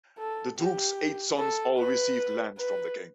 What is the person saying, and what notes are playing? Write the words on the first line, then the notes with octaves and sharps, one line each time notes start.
The duke's eight sons all received land from the king.
A4
G4
A4
B4
B4